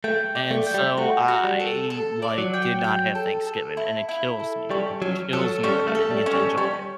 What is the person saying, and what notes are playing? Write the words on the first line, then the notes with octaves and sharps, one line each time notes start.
and so I, like, did not have Thanksgiving, and it kills me. It kills me that I didn't get to enjoy it.
A3 G5
D5
A3
G5
G3
A3 F#4
F#4
G3
A4
A4
D5
F#3
G5
G5
A4
A4
E4
E4
A4
G3 C#4
F#3 C#4
F#3 A4
G3 C#4
A3
A4
G3
C#4
G3
G3 C#4